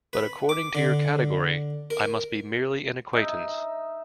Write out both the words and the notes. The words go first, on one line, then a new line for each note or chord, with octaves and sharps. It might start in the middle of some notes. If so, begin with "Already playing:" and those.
But according to your category I must be merely an acquaintance.
B4
D6
D3
A#4
D#4 E5